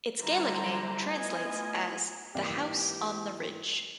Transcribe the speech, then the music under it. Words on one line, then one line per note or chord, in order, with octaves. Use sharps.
Its Gaelic name translates as "the house on the ridge".
D3 G3 E4 C5 A#5
A3 B3 E4 F4 D#5 G#5
G#2 E3 A#3 C4 G4 D5 F5